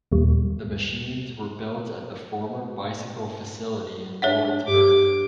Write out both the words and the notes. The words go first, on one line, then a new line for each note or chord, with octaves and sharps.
The machines were built at the former bicycle facility in Lawrenceburg.
D#2 A#2 G3
D4 C#5 E5 F#5
G2 G4 D6